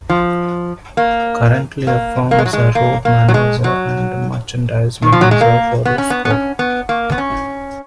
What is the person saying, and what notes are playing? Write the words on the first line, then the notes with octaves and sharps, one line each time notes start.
Currently, Efrem is the road manager and merchandise manager for Rusko.
F3
A#3
A#3
A#3
G#3
F#3
G#3
A#3
A#3
F#3
G#3
F#3
D#3
F3
F#3
G#3
A#3
B3
C#4
B3
B3
C#4
B3
A#3
B3
C#4